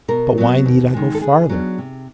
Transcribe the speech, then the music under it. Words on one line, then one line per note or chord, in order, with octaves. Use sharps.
But why need I go farther?
B2 A#4
F#3 B3
D#2
D#3 G#3
A4
D3 G#4
F#3 B3 D4
C3